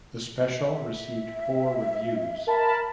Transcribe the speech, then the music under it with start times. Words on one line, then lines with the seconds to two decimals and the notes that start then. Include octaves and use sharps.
The special received poor reviews.
0.58 E5
2.47 A#4 A5 B5